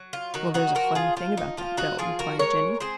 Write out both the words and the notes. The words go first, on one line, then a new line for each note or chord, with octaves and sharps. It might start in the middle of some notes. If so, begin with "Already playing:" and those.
"Well, there's a funny thing about that bill," replied Jenny.
Already playing: F#3
F4
D#3 D#4 F#4
D#4 F#4
F3 F#4 A#4
F4 G#4
F3 F4
D#4
F3 F4
D#4 F#4
F3 F4 G#4
F#4 A#4
G#3 A#4 C#5
C4 G#4 C5